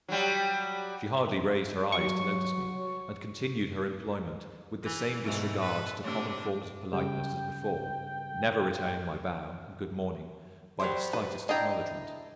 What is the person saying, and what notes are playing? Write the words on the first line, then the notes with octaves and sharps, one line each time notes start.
She hardly raised her eyes to notice me, and continued her employment with the same disregard to common forms of politeness as before; never returning my bow and good-morning by the slightest acknowledgment.
F#3 G3
F#3 C#6
E3
G#2 B2 E3 A3
A4 B4
A2 C3 D4
G2 C#3 G3 G5
F#3 G3 C5
B4
D4 E4 D#5 G5 A#5